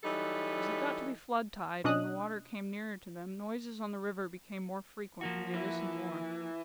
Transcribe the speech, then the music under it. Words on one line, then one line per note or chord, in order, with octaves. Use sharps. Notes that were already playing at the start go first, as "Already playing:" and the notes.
As it got to be flood-tide, and the water came nearer to them, noises on the river became more frequent, and they listened more.
E3 F#3 G3 D#4 A4
B2 C#4 D4 D#5 D#6 F#6
F3 A#3 F#4
E3